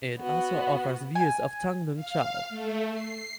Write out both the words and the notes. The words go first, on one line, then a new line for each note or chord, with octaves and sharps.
It also offers views of Tung Lung Chau.
B3 F#4
G#5
F5
A3
C7